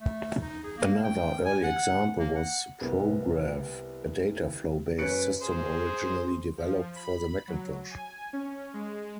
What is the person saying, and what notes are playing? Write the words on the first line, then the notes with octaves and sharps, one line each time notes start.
Another early example was Prograph, a dataflow-based system originally developed for the Macintosh.
A3
D#4
G#4
A#3
G5
G#5
F#5
A#3
F#5
C2 B3 C4 A#4
F#2 B4 C#5 F#6 C#7 D7
G#4 C5
F3
B5
F#3
G#5
C#4
G#3